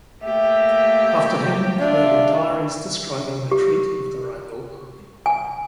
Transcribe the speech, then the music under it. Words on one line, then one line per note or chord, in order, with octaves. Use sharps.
After him there were diaries describing the retreat of the Wrangel army.
A3 A#3 G4 E5
D4 F4 E5
G4
G#5